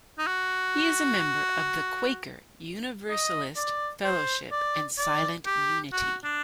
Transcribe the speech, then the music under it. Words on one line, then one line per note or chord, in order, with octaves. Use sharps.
He is a member of The Quaker Universalist Fellowship and Silent Unity.
D#4
F#4
D#5
D5
C5
D5
D5
G4
F#4
D4